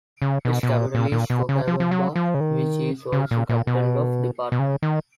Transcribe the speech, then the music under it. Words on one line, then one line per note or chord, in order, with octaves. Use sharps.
Its capital is Cochabamba which is also the capital of the department.
C#3
B2
B2
A#2
A#2
A#2
B2
C#3
F3
F3
F#3
F3
C#3
D#3
C#3
A#2
A#2
B2
B2
C#3
D#3